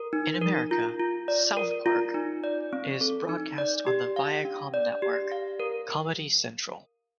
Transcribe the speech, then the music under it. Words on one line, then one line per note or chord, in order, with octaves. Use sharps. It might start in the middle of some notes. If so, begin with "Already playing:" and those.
In America, "South Park" is broadcast on the Viacom network Comedy Central.
Already playing: A#4
D#4
A#4
F4
F4
D5
A#4
F4
D#4
D5
C4
A4
D#4
D5
G4
F5
D4
D5
G4
F5
A#4